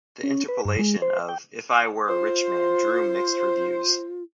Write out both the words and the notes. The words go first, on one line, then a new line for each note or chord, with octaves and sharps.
The interpolation of "If I Were a Rich Man" drew mixed reviews.
C#4
B4
G2
G#3
C5
G5
F4 C5